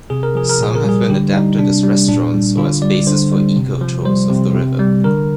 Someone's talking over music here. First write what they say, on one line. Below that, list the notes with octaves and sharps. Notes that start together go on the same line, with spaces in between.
Some have been adapted as restaurants or as bases for eco-tours of the river.
C3 G#4
A#4
F3 G#4
A#4
A#2 G#4
A#4
G3 G#4
D3 G4
G3 D#4
C3 D4
G3
A#2 D4
G3
D3 F4
G3 D5
D3 C5
G3
C3
F3
G3 C5
C3
C3
G3
D3 A#4